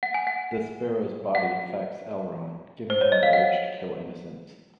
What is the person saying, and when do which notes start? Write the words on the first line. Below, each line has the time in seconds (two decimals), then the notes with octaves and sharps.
Despero's body affects L-Ron, giving him the urge to kill innocents.
0.03 F#5
0.14 G#5
0.27 F#5
1.35 F#5
2.90 C5
3.01 C#5
3.12 D#5
3.23 F5
3.33 F#5